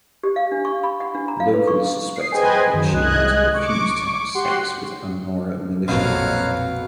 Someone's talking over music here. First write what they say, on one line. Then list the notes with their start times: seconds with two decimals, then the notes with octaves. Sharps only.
Locals suspect however she might have refused to have sex with Amhara militiamen.
0.23 G4
0.36 F5
0.52 D4
0.65 C#6
0.83 B5
1.00 F#5
1.15 D4
1.28 A#5
1.40 F5
1.54 B4
1.67 C#6
2.16 D#6 C7
2.32 G#4 B4 C5 D#5 G5 G#5
2.74 F#2 D#3 F#3
2.92 C2 G#3 D#5 F#6 G#6
3.54 C#6 D6
4.34 F#4 G4 F#5 C6
5.88 A#1 F2 B2 F#3 C4 F5